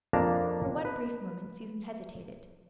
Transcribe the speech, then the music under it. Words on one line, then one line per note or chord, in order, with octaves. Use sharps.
For one brief moment Susan hesitated.
F2 A#3 D4 A5 A#5
B4